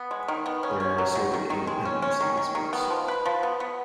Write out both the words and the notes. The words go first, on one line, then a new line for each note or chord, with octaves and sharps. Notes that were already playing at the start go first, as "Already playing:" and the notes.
There are assorted independents in these groups.
Already playing: B3
G#3
D#3
B3
C#4
C#4
F#3
D#3
D#3
D#3
G#3
C#4
C#4
D#3
D#3
D#3
B3
F3
B4
F3
B3
B3